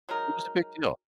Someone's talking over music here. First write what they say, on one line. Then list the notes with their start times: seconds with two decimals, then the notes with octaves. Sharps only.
It was a big deal.
0.09 F#3 G#3 D#4 A#4